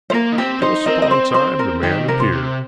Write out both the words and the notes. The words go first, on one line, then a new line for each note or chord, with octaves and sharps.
Close upon time the man appeared.
C5
A#3 A#4
D#4
C4 G4
D#4 C5
C4 A#4 D#5
D#5
C5
C5
A#4
D#3 G4
C3 A#4
C5
C3